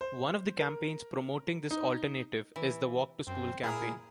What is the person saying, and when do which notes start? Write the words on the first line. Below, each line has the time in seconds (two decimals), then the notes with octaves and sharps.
One of the campaigns promoting this alternative is the walk to school campaign.
0.01 C5
0.59 A#4
1.71 D#4
2.56 E3
3.27 F#2 C4
3.63 A#2 E4 G#4 A#4